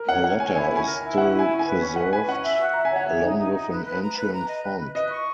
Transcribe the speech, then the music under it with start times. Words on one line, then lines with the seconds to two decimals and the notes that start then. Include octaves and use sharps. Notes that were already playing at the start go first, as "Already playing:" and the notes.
The latter is still preserved along with an ancient font.
Already playing: A#4
0.08 C#5 F#5
0.24 C#5 F#5
0.39 C#5 G#5
0.55 E4 G#5
0.71 C#4 G#5
0.87 A#4
1.02 E4
1.13 E5
1.18 C#4 F#5
1.34 E4
1.39 G#5
1.50 C#4
1.59 G#5
1.65 B4
1.81 C#4 G#5
1.96 B4 F#5
2.13 B4 G#5
2.28 C#4 F#5
2.43 E5
2.59 F#4
2.74 E5 A#5
2.85 G#5
2.91 C#5 F#5
3.06 C#5 E5
3.22 D#4
3.38 D#4
3.53 D#4
3.69 B4
3.85 B4
4.01 A#5
4.17 B4
4.33 A#5
4.48 D#5
4.64 B4
4.80 B4
4.95 B4 D#5
5.11 C#6